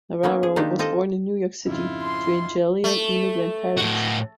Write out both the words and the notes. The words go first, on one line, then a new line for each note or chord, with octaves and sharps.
Navarro was born in New York City to Italian immigrant parents.
A#3 B3 C#4 D#4
G#4
D#3 A#3 D4 D#4 F4 G4
C4 F4 A4 D#5
F2 G#2 C#3 E4 F4
C6
A3
A2 F#4